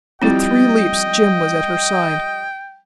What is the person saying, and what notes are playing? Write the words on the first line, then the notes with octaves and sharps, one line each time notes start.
With three leaps Jim was at her side.
F3 G3 C4 E4 D#5 G5 A6